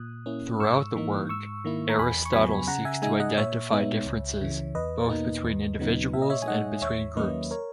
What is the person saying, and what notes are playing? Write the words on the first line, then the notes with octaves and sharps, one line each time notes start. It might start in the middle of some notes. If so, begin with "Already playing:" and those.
Throughout the work, Aristotle seeks to identify differences, both between individuals and between groups.
Already playing: A#2 D#6 F#6
A#3 C#4 E4
G#2 C#6 E6
E3 A#3 D#4
G#2 C#6 E6
D#3 A#3 E4
A#5
E2 G#5 B5
C#6
C#3 F#3 B3 G#5 B5
C#3 F#5 A#5
E5 G#5
G#3 D#4 E5 G#5
D#5 F#5
A#2 C#5 E5
G#3 B3 D#4
C#2
C#3 E3
E2 B4 D#5
B2 A#3 D#4
D#2
C#3 F#3 B3 D#4
A#2 E5
D#5
C#5 E5
G#5
G#3 D#4 D#5 F#5
D#2 C#5 E5
D#3 F#3 A#3 C#4 B4 D#5
A#4 C#5